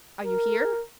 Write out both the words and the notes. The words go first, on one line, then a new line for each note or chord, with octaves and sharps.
"Are you here?"
A#4